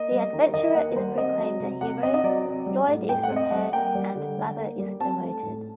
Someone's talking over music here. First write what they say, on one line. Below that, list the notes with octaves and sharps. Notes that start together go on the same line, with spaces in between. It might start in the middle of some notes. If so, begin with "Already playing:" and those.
The adventurer is proclaimed a hero, Floyd is repaired, and Blather is demoted.
Already playing: A#3 D#5
G3
D#3
D#3 D#5
A#3 F#5
G3 C5
C4 D#5
F#3
C3
C3 F#5
C4 D#5
D#5
F#3 D5
C4
G3
A2
A2 G5
F#5
C4
D#5
G3 F#5
A#3 G5
G3
D3
D3
A#3
G3
C4 A5
A3
A2